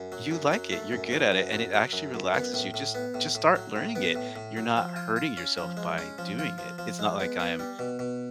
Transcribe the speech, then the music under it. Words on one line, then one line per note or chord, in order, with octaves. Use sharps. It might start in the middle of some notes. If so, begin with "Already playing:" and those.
you like it, you're good at it, and it actually relaxes you, just just start learning it. You're not hurting yourself by doing it," it's not like I'm,
Already playing: F#2
F#3
F#2
F#3
A3
F#2
F#3
F#2
F#3
F#3
F#2
F#2
B3
A2
A2
B3
A2
A2
F#3
A2
B3
A2
A2
F#3
F3
F4
F4
C#4
F3
G#3
C#4
F3
F4
F3
F3
G#3
B3
B3
G3
B2
B2